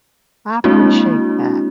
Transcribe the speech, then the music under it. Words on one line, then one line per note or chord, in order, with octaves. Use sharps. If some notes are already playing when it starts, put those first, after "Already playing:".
I appreciate that.
G#3 A#3 C4 D4 E4 F#4